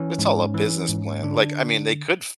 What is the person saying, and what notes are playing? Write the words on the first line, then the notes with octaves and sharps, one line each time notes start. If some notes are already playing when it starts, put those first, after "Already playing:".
It's all a business plan, like, I mean, they could f
Already playing: E3 C#4
G#2
E3
G#2
D3 D4